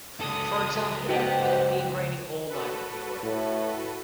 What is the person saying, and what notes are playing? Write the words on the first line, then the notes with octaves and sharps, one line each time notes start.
For example: It had been raining all night when he awoke.
C#2 A4 D#6
F#4 G4 B4 C5 D#5 F#5
F#4 A4 B4
A2